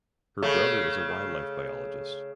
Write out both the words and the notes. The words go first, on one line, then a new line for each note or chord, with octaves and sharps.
Her brother is a wildlife biologist.
C#3 A3